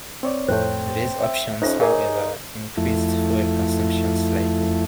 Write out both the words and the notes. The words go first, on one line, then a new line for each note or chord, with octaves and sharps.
These options however, increased fuel consumption slightly.
C4 C#5 D5
F2 A2 A3 C4 C5 C#5
E5
F2 C#4 D#4 C5 E5
D#4 G#4 A#4 C#5 G#5
F2 A3 E4